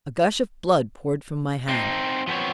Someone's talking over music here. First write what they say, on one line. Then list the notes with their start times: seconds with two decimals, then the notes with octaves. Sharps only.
A gush of blood poured from my hand.
1.69 C4 D#4
2.27 F3 B3 C4 C#5